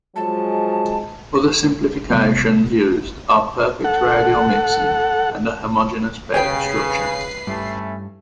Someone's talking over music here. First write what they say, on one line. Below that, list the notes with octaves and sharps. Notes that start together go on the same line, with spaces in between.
Other simplifications used are perfect radial mixing and a homogeneous bed structure.
F3 F#3 G#3 A5
C3 G3 B3
A4 F#5
C#3 G4 G#4 B4 C#5 G5 C7
G2 A3 C#4 E4